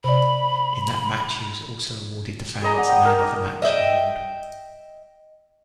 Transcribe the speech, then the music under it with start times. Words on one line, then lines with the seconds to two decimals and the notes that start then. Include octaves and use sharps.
In that match, he was also awarded the fans' Man of the Match award.
0.04 C3 D5 B5
2.62 G#4 B4 D#5 A#5
2.74 D5 F#5
2.89 G5 D#6
3.05 A#4 A5
3.20 D#4 D#5 D6
3.62 D#5 E5 G5